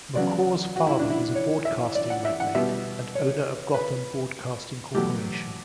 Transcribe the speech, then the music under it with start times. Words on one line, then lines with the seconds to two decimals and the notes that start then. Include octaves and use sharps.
McCaw's father was a broadcasting magnate and owner of Gotham Broadcasting Corporation.
0.15 C#3 F#3 B3 D5
0.76 F#4
0.87 E4
0.99 D4
1.10 E4
1.35 C#5
1.65 E5
1.95 D5
2.10 F#5
2.25 E5
2.40 F#5
2.55 B2 G3 B3 E5
3.15 C#5
3.74 B4
4.95 B2 F#3 A3 G4